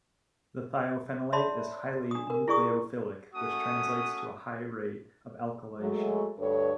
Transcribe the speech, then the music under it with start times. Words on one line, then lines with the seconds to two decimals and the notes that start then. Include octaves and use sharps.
The thiophenolate is highly nucleophilic, which translates to a high rate of alkylation.
1.33 C#5 D5 E5 A5 B5 C6
2.11 D4 D#6
2.27 D4 A#4
2.48 E4 G#4 D5 C#6 D#6
3.34 A3 C#4 F#4 D#6
5.79 F#3 G#3 A3
6.38 D2 G2 A4 B4 C#5